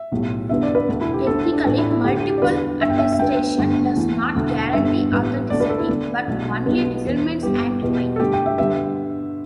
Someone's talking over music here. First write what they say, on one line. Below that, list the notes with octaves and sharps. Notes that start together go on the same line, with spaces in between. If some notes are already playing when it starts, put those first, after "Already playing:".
Technically, multiple attestation does not guarantee authenticity, but only determines antiquity.
Already playing: E5
B1 A2 G3
E2 D3 G3 B3 E5
D5
B4
E1 D2 D3 B3
E4
G4
D2 D3 A3 A4
D4
A1 A2 A3 D4
E4
E4
D2 D3 A3 G4
G4
G4
D5
E2 D3 G3 B4
G1 G2 D3 E5
G5
E5
E5
D2 D3 B3 G5
G1 G2 D3 A3
E2 E3 A3
E1 D2 D3 A3
G1 G2 D3 B3 E5
A1 G2 G3 B3
D2 D3 A3 D5
B4
A4
E4
D2 D3 B3 D4
B1 B2 A3
B1 B2 G3 B3
E2 E3 B3
G1 G2 G3 B3 G4
E2 B2 G3 B3
A4
G2 D3 A3 G4
G5
E5
G2 D3 G3 B3 E5